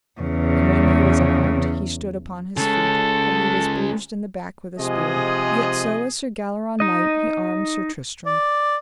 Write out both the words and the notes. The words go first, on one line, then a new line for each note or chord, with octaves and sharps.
And when he was unarmed he stood upon his feet, for he was bruised in the back with a spear; yet so as Sir Galleron might, he armed Sir Tristram.
E2 C#3
C#3 G#3 A4
C3 F3 G#3 G#4 D#5
D#4 D#5
D5